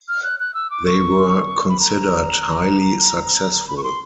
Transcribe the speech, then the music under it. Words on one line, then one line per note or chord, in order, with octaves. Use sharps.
They were "considered highly successful".
F6
F#6
F#6
E6
D6
C#6
B5
A#5
B5
C#6
C6